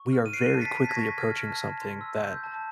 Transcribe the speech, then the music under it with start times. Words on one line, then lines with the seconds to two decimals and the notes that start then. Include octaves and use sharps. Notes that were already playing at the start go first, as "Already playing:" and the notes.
we are, very quickly, approaching something that,
Already playing: C#6
0.13 F6
0.26 D#7
0.33 F#6 C7 D7
0.55 A5
0.61 A6 B6
0.76 A5
0.85 B6
0.89 G#6 A#6
0.96 C#6
1.18 F6 G#6
1.38 A5
1.59 A5
1.80 C6
2.01 E6
2.22 G6
2.43 A5